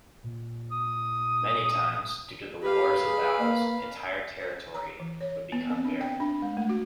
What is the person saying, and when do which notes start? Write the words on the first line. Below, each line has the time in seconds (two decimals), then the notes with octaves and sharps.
Many times due to the wars and battles, entire territory would become barren.
0.24 A#2
0.71 D#6
2.62 G4 B4 F5
3.04 G#4
3.39 A#3
4.40 C5
4.75 A#5
5.00 E3
5.21 C#5
5.52 B3
5.70 C4
5.85 D4
6.01 G5
6.20 D4
6.42 G#3
6.57 A3
6.69 F#4